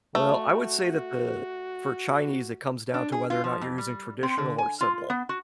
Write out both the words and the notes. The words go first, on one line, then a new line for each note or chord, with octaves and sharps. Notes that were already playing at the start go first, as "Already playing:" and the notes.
Well, I would say that the for Chinese, it comes down to whether or not you're using traditional or simple.
A3 F#4
D4
G#4
F4
F3
F2
G3
C4
D3
G#5
F4
B3
F#4